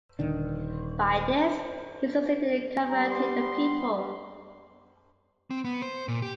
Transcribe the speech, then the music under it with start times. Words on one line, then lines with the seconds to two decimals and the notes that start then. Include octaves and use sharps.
By this he succeeded in converting the people.
0.19 D#1 D3 D#3 D4
2.89 G3 B3 G4 A#5
3.12 C6
5.51 C4
5.65 B3
5.82 C5
6.08 A#2
6.22 G4